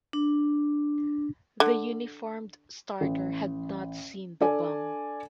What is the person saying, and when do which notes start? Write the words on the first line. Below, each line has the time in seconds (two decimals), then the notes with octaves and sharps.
The uniformed starter had not seen the bum.
0.13 D4
1.60 D3
3.01 A1
4.41 D4 A4 D5 G#5